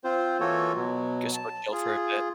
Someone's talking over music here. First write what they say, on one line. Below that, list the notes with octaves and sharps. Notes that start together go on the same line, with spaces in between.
Just go chill for a bit.
C4 F4 C5
E3 A#3 F4 F#4 A4 C#5
B2 F#3
A5
F4 G#4